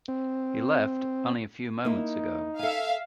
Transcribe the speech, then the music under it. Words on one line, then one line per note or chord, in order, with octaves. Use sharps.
He left only a few moments ago.
C4
A#3 D#4 E4
A4 E5 F5 G#5